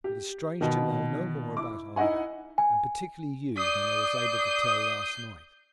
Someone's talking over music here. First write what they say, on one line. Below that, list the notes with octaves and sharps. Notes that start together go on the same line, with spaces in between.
It is strange to know no more about either, and particularly you, than I was able to tell last night.
G4
B2 D#3
E4 D6
D#4 E4 D#5 F#5 G#5
G#5
D5 D#6 G6 C7